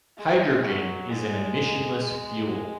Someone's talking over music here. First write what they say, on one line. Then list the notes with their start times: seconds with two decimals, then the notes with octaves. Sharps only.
Hydrogen is an emissionless fuel.
0.18 G#3
0.63 F#3
1.09 G#3
2.00 G#3
2.46 G#3